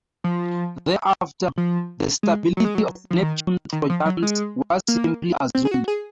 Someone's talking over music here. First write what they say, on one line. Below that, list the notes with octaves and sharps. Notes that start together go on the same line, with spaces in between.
Thereafter, the stability of Neptune trojans was simply assumed.
F3
F3
G#3
F#3
G#3
F#3
F3
D#3
D#3
F3
F#3
G#3
A#3
C4
G#4
F#4
G#4